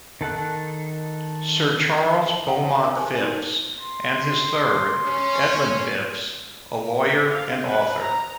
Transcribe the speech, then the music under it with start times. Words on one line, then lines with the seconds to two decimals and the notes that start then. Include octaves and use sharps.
Sir Charles Beaumont Phipps and his third, Edmund Phipps, a lawyer and author.
0.21 D#3 A4 F#5 F#6
2.47 A4 F5 F#5
2.63 A4 C#5 G5 A5
2.83 A4 A#4 C#5 F5
2.96 G4 G#4 C5 C#5 G#5 A5
3.21 C#4 D#4 G#4 A#4 C6
3.81 C6
5.06 C#4 C#5
7.29 F5
7.65 B4
7.99 A#5